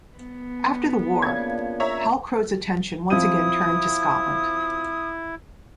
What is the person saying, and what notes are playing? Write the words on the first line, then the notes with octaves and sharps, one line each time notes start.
After the war, Halcrow's attention once again turned to Scotland.
B3
A#2 C#3 D4 G#6
C#5 E5 A#5
F3 C4 E4 D#6 D#7